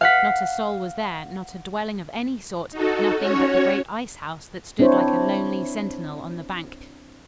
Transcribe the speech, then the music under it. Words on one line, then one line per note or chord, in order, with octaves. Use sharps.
Not a soul was there, not a dwelling of any sort; nothing but the great ice house that stood like a lonely sentinel on the bank.
F5 F#5 B6
D#4 F#4 A4
C#4 F#4 C#5
C4 D4 E4 C5 C#5